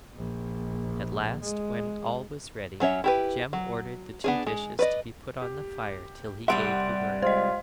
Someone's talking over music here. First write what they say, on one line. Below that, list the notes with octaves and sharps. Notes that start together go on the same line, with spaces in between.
At last, when all was ready, Jem ordered the two dishes to be put on the fire till he gave the word.
A#1
G#3
F#3 C#4 C#5 E5
E4 G4 B4
F#3
B3 D4 G#4
G#3
B4 D5 D#5
G4
C2 G3 E5 F#5 C6 D7
G#3 F4 C5 D#5